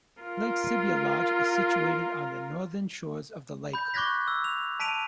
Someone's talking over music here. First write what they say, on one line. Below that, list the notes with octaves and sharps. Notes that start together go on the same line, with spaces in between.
Lake Sibaya Lodge is situated on the northern shores of the lake.
F4 A#4
B5 G6
C#6 D6 F#6 G#6 A#6 B6
E6
F7
A5 B6 D7 D#7 F7